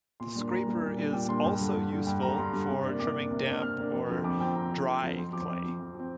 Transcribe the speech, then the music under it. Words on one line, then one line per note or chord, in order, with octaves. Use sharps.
The scraper is also useful for trimming damp or dry clay.
A#2 C6
G3 A#3 D4
A#2 A#5
G3 A#3 D4
A#2
G3 A#3 D4
A#2 G5
G3 A#3 D4 C6
G2 G5
D3 G3
G2
D3 G3
G2 G5
D3 G3 A#5
G2 C6
D3 G3
C3
A#3 D4
C3 D6
A#3 D4
C3
A#3 D4
C3 F6
A#3 D4
F2
D3 F3 C4
F2 D6
D3 F3 C4 G5
F2 A#5
D3 F3 C4
F2
D3 F3 C4
F2 C6
F3 C4 D6
F2 D6
F3 C4
F2
F3 C4